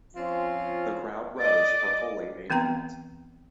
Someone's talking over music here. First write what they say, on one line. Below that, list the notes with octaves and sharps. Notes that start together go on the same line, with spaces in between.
The crowd rose for fully a minute.
F3 C4 C#4 F4
D5 D#5 D6 A6
E3 B3 C4 G5 A#5